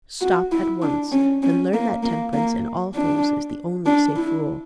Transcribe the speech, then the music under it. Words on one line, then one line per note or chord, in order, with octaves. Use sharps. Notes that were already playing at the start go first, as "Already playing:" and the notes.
Stop at once, and learn that temperance in all things is the only safe rule.'
F#4
E4
D4
C#4
C#4
A#3
A#3
A#3
D4
D4
E4